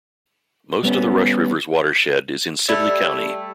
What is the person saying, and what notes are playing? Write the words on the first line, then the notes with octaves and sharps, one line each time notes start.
Most of the Rush River's watershed is in Sibley County.
G3 B3 C#4
G3 A3 E4